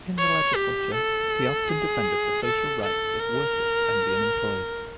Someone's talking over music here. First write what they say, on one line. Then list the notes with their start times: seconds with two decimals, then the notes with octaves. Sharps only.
In the legislature, he often defended the social rights of workers and the unemployed.
0.19 C#5
0.56 G4
0.94 A4
1.69 G#4
2.44 A4
2.82 A4
3.20 A#4